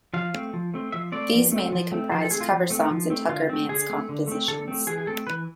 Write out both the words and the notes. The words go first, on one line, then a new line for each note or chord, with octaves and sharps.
These mainly comprised cover songs and Tucker-Mantz compositions.
F3 F5
A3 C4
F3
A3 C4
F3 E5
A3 C4 D5
F3
A3 C4
F3
A3 C4
F3 C5
A4
A3 C4 G#4
F4
F3
A3 C4
F3
A3 C4
D3 F4
A3 C4
D3 G#4
A3 C4
D3
A3 C4
D3 A4
A3 C4
E3 G#4
G#4
A3 C4 A4
E3 B4